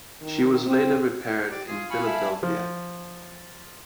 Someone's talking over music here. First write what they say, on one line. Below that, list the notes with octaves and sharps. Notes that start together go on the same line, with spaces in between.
She was later repaired in Philadelphia.
D#3
C4
G4 D5
F4 G#4
F5 G#5 B5 C#6
E4 E5 A5
F3